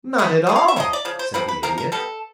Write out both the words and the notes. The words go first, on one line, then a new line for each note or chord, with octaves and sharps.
"Not at all," said the Idiot.
B2 G#3 B3
B2 G#3 B3
F5
E5
C#3 F3 A#3 D#5
D5
C#3 F3
C5
C3 F3 A#3 B4
B4
C3 F3 A#3 A#4
A#4
D#3 G3 B3 A4